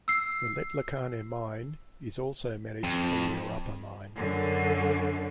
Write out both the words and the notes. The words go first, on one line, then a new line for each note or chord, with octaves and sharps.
The Letlhakane mine is also managed from the Orapa mine.
E6 C7
F2
F#2 D3